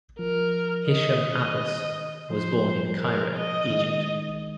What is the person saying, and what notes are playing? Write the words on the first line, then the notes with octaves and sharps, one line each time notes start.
Hisham Abbas was born in Cairo, Egypt.
F3 A#4
D#3 D#5
F3 C5
A#4
D#5
D#3 G#3